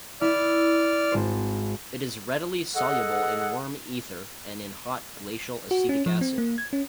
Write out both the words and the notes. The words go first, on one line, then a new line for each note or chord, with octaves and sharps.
It is readily soluble in warm ether and in hot glacial acetic acid.
E4 D5 E5 F6
G#1 C5
G#4 A4 D#5 F#5
F#4
C#4
F3
C4
A#3
G#6
C#4